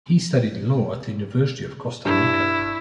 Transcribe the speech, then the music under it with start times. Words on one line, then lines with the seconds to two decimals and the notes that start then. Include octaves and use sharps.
He studied Law at the University of Costa Rica.
2.05 G2 E4